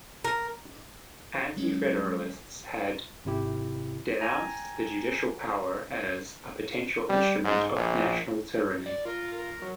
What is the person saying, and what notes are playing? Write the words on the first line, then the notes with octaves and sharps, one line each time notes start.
Anti-Federalists had denounced the judicial power as a potential instrument of national tyranny.
A#4
D#3 F#3 G#3 C#4
G#1 C3 E4 G4
G5 G#5 A#5
G3
G#2
A#1
D5
F4 A#4
A#4
F#3